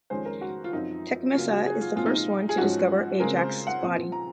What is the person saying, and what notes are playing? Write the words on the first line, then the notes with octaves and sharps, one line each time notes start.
Tecmessa is the first one to discover Ajax's body.
F2 D#3 G#3 C#4 C5
A#4
F#4
F4
F#2 F3 C4 D#4
C#3 F#3 A#3 F4
F#4
G#4
F4
A#2 F3 G#3 C4 F4
D#4
F4
G#4
G#2 F3 G#3 C#4 F#4
C#3 G#3 C4 A#4
C5
F#5
A#2 F3 C4
A#5